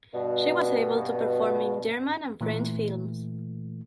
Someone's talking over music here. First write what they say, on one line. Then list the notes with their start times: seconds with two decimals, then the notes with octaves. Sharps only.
She was able to perform in German and French films.
0.14 G2 B2
2.41 A#2 E3 A3